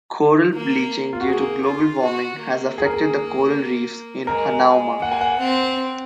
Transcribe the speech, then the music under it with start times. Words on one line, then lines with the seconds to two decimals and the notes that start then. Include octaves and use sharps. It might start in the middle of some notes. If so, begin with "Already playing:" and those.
Coral bleaching due to global warming has affected the coral reefs in Hanauma.
0.54 A#3
1.13 F4
1.21 F#4
1.28 A#3 G#4
1.66 F4
2.03 F#4
2.41 A#3
2.78 G#4
2.86 A#4
2.94 G#4
4.27 G#3 A#4
5.02 A#3 F#5
5.12 G#5
5.21 F#5
5.39 C4